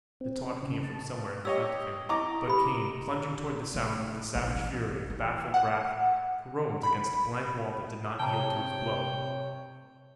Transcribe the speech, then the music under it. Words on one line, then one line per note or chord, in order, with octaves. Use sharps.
The taunt came from somewhere in front of him, but Kane, plunging toward the sound with the savage fury of baffled wrath, caromed against a blank wall that did not yield to his blow.
C4
C#3
A5
G4 C#5 D#5 E6
E4 D#5 A#5 C#6 D6
G4 B5
A3
A#1
E3
E3
F#5
B5
C3 C#5 G5 A5 A#5